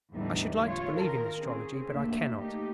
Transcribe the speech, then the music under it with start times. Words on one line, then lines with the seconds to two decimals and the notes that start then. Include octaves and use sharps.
I should like to believe in astrology, but I cannot.
0.12 E2 A2 D3 E3 G3 D#4
0.63 F4 C#5
0.95 D#3 F4 A#4
1.40 C4 C#4 G#4
1.89 D#2 A2 A#3 D4 E5
2.38 A3 A#3 D#4 G4